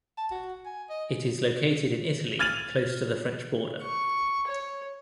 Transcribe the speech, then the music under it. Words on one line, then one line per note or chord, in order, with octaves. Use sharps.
It is located in Italy close to the French border.
A5
F#4
G#5
D#5
F6 G#6 A6 D#7 F7 F#7
C#6
C#5